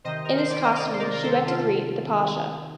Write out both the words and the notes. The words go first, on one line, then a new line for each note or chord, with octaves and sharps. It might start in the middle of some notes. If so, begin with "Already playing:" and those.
In this costume she went to greet the Pasha.
C3 D#3 C5 D#5
A#4
C5
D5
D#5
D5 F5
C5
A#4 D5
A#4
A4 C5
F4 A4